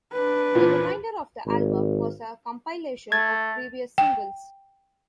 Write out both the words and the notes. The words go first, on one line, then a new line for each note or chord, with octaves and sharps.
The remainder of the album was a compilation of previous singles.
D4 B4
A#2 E3 F3
G#1
A3 G#6 A6
G5